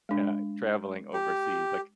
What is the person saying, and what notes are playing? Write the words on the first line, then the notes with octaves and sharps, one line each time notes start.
Yeah, traveling overseas, like
G#3 D4
G4